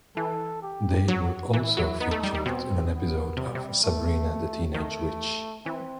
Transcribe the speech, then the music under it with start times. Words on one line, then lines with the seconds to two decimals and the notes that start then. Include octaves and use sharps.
They were also featured in an episode of "Sabrina, the Teenage Witch".
0.17 E3 A4
0.63 G4
1.08 F#3 F#4
1.54 E3 E4
1.77 F#3
2.00 B3 D#4
2.11 A3
2.23 G3
2.35 G3
2.45 B2 C4
2.92 B3
3.37 C3 G3
3.46 B2
3.55 C3
3.83 A3
4.74 D#3 A3
5.66 E3 C4